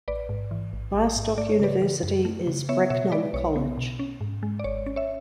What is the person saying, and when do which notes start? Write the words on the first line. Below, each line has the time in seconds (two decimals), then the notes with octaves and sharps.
Barstock University is Bracknell College.
0.08 A1 B4 D5
0.29 G#2
0.51 E3
0.73 A1
0.94 A1
1.16 G#2
1.38 A3 D5
1.52 C#5
1.60 C#3 B4 D5
1.82 E3
2.03 F#2
2.25 A3
2.47 C#3
2.69 B3 C#5 E5
2.90 B2 C#5 E5
3.12 G#3 B4 D5
3.33 B1 C#5
3.56 B3
3.77 B2
3.99 C#4
4.21 G#2
4.43 G#3
4.59 D5
4.64 G#1 C#5
4.86 C#4
4.96 C#5 E5